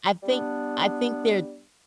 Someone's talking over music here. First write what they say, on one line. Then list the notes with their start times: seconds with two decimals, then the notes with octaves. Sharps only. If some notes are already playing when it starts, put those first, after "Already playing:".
I think I think they're
0.23 G3 B3 D4